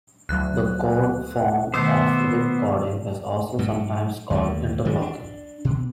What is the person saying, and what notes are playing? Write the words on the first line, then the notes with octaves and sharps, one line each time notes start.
The cord form of whipcording is also sometimes called Interlocking.
D2 F#3 F#6
B2 D#3 A3 B3 C5 D6 E6 C7
G#2 F#3
D#2 D3 A3
D#3 F3 G3
D4
B2